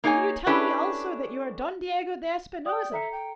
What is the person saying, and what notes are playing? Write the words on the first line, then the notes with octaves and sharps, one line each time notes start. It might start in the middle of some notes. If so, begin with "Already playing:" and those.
"Will you tell me also that you are Don Diego de Espinosa?"
A#3 D#4 G#4 C#5 G#5
C#4 D4 E4 G4 A4 B4
D5 G5 D#6
A4 E5 A#5 C#7
G5